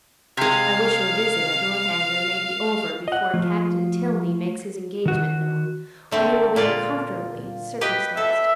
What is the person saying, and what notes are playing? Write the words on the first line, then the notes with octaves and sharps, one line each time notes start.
I wish your visit at Northanger may be over before Captain Tilney makes his engagement known, or you will be uncomfortably circumstanced.
C3 G#3 F5
D#5 F#5
F3 A3 F4
D#3 F#4
D3 A3 C4
A#2 F4 D5
G4 B4 D#5
A4 E5